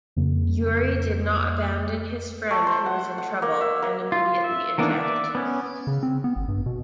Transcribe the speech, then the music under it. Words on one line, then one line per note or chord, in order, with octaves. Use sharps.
Yuri did not abandon his friend who was in trouble and immediately eject.
F2 C#3 A#3
A3
C5
F#5
F#5
A#3
E5
A#3
F4
E5
D#3 E3 A#3 B3 D4
D5 E5
B3 C#4
C#3
C4
B3
G#1
G2
B2